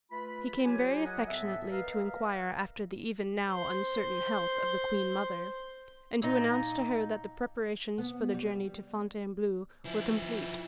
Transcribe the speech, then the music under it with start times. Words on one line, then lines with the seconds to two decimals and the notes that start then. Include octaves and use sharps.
He came very affectionately to inquire after the even now uncertain health of the queen-mother, and to announce to her that the preparations for the journey to Fontainebleau were complete.
0.11 A3 F4 B4 B5
0.64 F#3 F4 G4 G#5
1.05 A#4 D#5 F#5
1.27 A2 B3 A4 E5
1.70 A#4 B4 D#5 F5
3.51 C5 C6
6.22 A#2 D#4
7.98 B3
8.34 G3
9.85 F3 E4